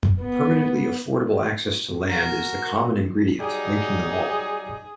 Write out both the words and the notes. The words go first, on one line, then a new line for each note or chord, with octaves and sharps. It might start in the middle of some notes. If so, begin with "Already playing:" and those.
Permanently affordable access to land is the common ingredient, linking them all.
B3
F#4 A#4
F#3 G3 D#4 G#4